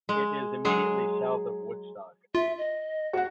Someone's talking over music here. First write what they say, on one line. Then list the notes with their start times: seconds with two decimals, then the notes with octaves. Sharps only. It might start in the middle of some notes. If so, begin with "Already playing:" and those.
It is immediately south of Woodstock.
0.09 G#3
0.65 F#3 G#3 G#4
2.35 F4 E5
2.58 D#5
3.13 F#4 F#5